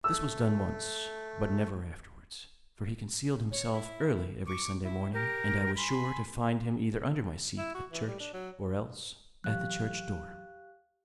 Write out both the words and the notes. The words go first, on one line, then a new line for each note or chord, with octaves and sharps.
This was done once, but never afterwards; for he concealed himself early every Sunday morning, and I was sure to find him either under my seat at church, or else at the church-door.
A3 E6
C#5
E4
C#6 D6
E4
G4 A#4
G#5 B5 C6
E4
F#4
E3
G3
D4
F#3
E3 F#3 G4 F5 F#6